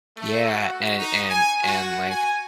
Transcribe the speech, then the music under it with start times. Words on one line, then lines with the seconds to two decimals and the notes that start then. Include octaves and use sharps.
Yeah, and and and, like,
0.17 A3
0.52 F#4
0.99 D#4
1.30 G#5
1.64 F#4
2.10 G#5